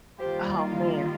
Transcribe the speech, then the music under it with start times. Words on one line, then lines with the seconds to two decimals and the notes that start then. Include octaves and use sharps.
Oh, man.
0.19 D#3 G3 A#3 F4 G4 C5